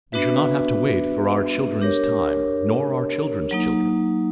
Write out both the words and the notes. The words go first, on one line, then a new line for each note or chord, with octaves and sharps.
We shall not have to wait for our children's time nor our children's children.
B3 D4 F#4 B4 E5
D4 G4 A#4 C#5
F#3 A#3 D#4